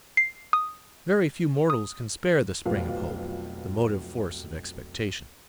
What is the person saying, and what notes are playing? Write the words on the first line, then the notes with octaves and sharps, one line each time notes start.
Very few mortals can spare the spring of hope, the motive force of expectation.
C7
D#6
D#6
F1 B1 F3 B4 F5